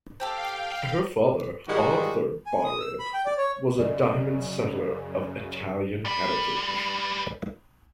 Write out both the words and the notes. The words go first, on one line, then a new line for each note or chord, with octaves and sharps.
Her father, Arthur Bari, was a diamond setter of Italian heritage.
C4 G4 A4 F5 G5
G#2 D#3 F3 G3 G#3 F#4
G#5
D#6
E6
B5
G5
D5
C#5
F#2 C#3 D5 D#5
G3 B4